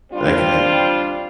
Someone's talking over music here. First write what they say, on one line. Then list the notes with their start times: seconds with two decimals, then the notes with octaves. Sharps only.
I can hea
0.12 G3 C4 D4 F4 C5 D5